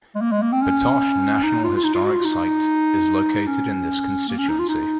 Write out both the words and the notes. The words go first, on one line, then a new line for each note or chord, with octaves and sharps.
Batoche National Historic Site is located in this constituency.
G#3
A#3
G#3
A#3
C4
C#4
D#4
F4
F4
D#4
F4
F#4
F4
D#4
C#4
A#3
C#4
D#4
F4
D#4